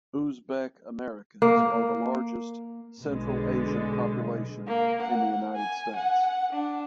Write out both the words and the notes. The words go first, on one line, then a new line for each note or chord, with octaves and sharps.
Uzbek Americans are the largest Central Asian population in the United States.
A#3
B1 B2 D3 G#3
A#3
F#5
G#5
F#5
D4